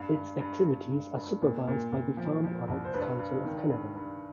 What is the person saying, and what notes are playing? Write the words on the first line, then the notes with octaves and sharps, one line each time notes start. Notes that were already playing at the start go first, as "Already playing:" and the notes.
Its activities are supervised by the Farm Products Council of Canada.
Already playing: G2 F5
G2
G2
G2
G2
G2
A#2
A#2
A#2
F3
F3
C2
C5
G2 B4
G2
D#3
G2
G2